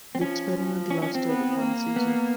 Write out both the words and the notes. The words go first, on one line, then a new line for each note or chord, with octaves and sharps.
The experiment lasted one season.
C4
F3 C#4
F3
C#4
C#4
C4
B3
A#3
B3